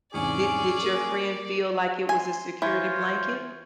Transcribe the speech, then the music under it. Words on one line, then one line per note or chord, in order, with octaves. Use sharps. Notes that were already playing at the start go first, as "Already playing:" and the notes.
Did did your friend feel like it was a security blanket?
E2 G#2 C3 C#4 G#4 D5
A#3
G#5 C6
E3 F4 C5 C#5